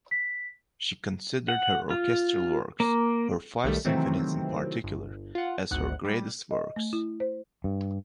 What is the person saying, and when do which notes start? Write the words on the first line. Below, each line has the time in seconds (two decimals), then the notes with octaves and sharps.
She considered her orchestral works, her five symphonies in particular, as her greatest works.
0.11 B6
1.49 F#5
1.90 F4
2.80 A#3
3.64 B1 D#3 G3 A3
3.85 C3 D#3 E3 F#3 A3 C4
4.83 G1
5.35 F4 F#5
5.71 G#1 D2 F#5 F#6
6.05 G3
6.51 D#5
6.76 A3
6.93 E4
7.20 C5
7.64 G2